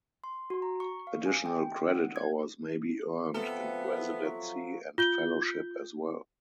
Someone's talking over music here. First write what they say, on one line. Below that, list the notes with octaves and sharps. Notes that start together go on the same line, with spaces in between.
Additional credit hours may be earned in residency and fellowship as well.
C6
F#4
A#5
C#6
F5
G#5
G5
F#5
G#6
C3 F3 B3 A4 E5
F3 F#3
F4 G6 G7